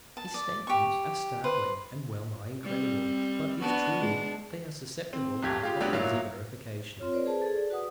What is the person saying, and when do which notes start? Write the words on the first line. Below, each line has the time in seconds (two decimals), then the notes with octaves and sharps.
His statements are startling and well-nigh incredible, but if true, they are susceptible of easy verification.
0.17 A5
0.34 D5
0.67 G4 C#6
1.44 B4 C5
2.64 G3 C4
3.61 B3 D4 F#4 A5
4.00 G#3
5.13 C4
5.42 D1 G1 G4 G#6
5.61 G#3 F4 G4
5.81 D1 F#3 B3 D4 G4
5.92 A1 F#3 A#3 E4 F4
6.99 C4 F4 C#5
7.13 A#4 C5 D5
7.26 G#4 B4 C5 A5
7.42 G#4 A4
7.56 D5
7.70 F#4 B4 F#5 D#6